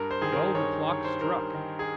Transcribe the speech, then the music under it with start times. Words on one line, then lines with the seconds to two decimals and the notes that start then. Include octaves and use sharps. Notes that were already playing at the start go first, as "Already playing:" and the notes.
Twelve o'clock struck!
Already playing: G2 A#4
0.11 C5
0.21 D#3 G#4
0.32 A#4
0.55 G2 C#5
0.88 D#3 C#5
1.04 C5
1.21 G2 A#4
1.54 D#3
1.79 G#4